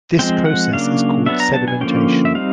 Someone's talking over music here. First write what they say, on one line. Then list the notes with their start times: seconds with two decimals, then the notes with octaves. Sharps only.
This process is called sedimentation.
0.19 F3 G#3 C4 G5
0.46 F#5
0.73 C#3 F#3 A#3 D4 F5
1.26 F#3 B3 D4 E5
1.40 A#5
1.54 A5
1.68 G#5
1.81 D3 F3 A#3 C#4 G5
2.25 E5
2.35 G3 C4 D#4 F5